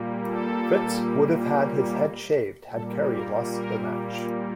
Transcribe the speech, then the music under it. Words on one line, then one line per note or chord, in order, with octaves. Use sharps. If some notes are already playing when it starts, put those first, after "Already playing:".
Fritz would have had his head shaved had Kerry lost the match.
Already playing: A#2 G3 A#3
A4
A#2 G3 A#3 A4
A#4
A#4